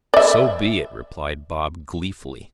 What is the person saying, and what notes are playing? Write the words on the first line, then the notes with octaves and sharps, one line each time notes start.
"So be it," replied Bob gleefully.
D5 E5